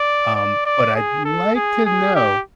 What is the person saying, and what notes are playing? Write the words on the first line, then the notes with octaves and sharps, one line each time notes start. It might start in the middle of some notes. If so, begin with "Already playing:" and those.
um, but I'd like to know
Already playing: D5
D5
D5
G#4
A4
G#4
G#4
G4